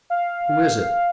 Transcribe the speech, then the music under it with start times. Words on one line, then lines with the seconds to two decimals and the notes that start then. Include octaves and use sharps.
"Who is it?"
0.10 F5